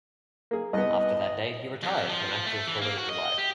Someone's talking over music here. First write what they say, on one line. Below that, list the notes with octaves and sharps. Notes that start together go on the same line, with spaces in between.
After that date he retired from active political life.
A#3 G#4
C2 B3 D#5
F2
F3
A3
E3
A#3
F#4
D#5
G4